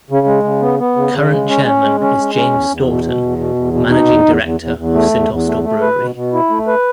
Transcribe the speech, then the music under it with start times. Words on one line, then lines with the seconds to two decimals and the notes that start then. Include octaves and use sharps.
Current chairman is James Staughton, Managing Director of Saint Austell Brewery.
0.10 C#3
0.27 G#3
0.44 C#3
0.62 B3
0.79 B3
0.96 C#3
1.13 C#3
1.31 G#3
1.49 C#4
1.66 C#4
1.82 G#3
2.00 C#4
2.18 G#3
2.35 C#4
2.53 E2
2.69 E2
2.87 B2
3.04 B2
3.22 E2
3.38 B2
3.55 E2
3.73 B2
3.91 D#4
4.08 E2
4.25 E2
4.42 E2
4.60 E2
4.78 E2
4.94 A3
5.12 E2
5.30 E2
5.46 A3
5.64 A3
5.81 B4
5.98 B2
6.15 B2
6.33 E4
6.50 A3
6.67 B4